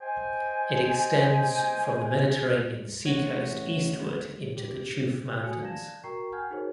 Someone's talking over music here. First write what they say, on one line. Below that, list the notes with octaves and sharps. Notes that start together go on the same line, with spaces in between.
It extends from the Mediterranean Sea coast eastward into the Chouf mountains.
C5 D#5 G5 G#5
A1 C#5 F#5 A#6
G4
F#4 A4 G#5 D#6 C#7
D5 F5 A5 G#6 A#6 E7
F#4 A#4 G5 A#5 C#6 C7
F#5 G#5 F6 G6 G#6
D#4 F#4 G#4 A#4 C5 C#5